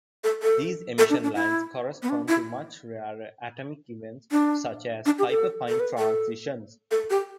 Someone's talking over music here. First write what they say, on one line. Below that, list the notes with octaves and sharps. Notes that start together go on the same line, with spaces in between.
These emission lines correspond to much rarer atomic events such as hyperfine transitions.
A4
A4
A4
D4
D4
E4
B3
D4
E4
D4
D4
G4
A4
A4
B4
A4
A4
G4